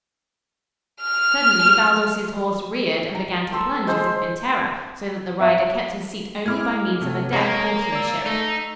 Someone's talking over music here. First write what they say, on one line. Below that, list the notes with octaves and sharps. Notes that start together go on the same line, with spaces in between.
Suddenly Baldos's horse reared and began to plunge as if in terror, so that the rider kept his seat only by means of adept horsemanship.
F6
A#5
A4 C6 E6
G#3 C5 C6 E6
E5
G#3 E4 D6 F6 G#6
C3 A3
G#3 A#3 C#5 D#5
D5 E6
A3 D#4